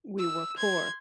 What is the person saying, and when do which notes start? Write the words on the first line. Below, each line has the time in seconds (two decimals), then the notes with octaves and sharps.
We were poor.
0.18 E6
0.58 C6 G#6